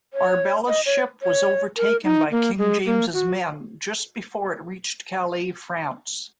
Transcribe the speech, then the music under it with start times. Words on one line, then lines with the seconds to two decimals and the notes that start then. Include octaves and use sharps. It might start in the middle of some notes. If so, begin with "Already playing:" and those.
Arbella's ship was overtaken by King James's men just before it reached Calais, France.
0.14 C#5
0.68 D#5
0.86 C#5
1.23 C#5
1.77 A#4
2.04 D#4
2.31 A#3
2.58 G#3
2.86 A#3
3.13 F#4